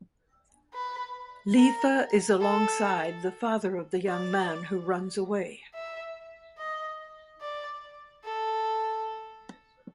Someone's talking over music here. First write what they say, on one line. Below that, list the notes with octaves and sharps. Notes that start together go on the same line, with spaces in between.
Lefa is alongside the father of the young man who runs away.
B4
A#4
A4
D5
E5
D#5
D5
A4